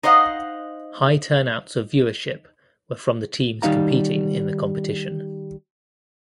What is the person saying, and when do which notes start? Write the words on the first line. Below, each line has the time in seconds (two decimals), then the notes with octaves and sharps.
High turnouts of viewership were from the teams competing in the competition.
0.03 D#4 C5 D#5 F5 F#5
3.62 D#3 G3 D#4 F5 A#5